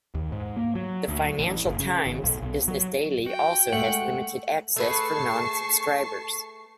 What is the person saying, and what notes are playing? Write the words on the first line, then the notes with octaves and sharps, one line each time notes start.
"The Financial Times" business daily also has limited access for non-subscribers.
D#2
G#2
A#3
F#3
D2
A1
F#1
C#3
G#1
B1
B1
F#3
F#4 G5
G#3 A3 F#5
A3 G#4 B4 A5 C#6 C7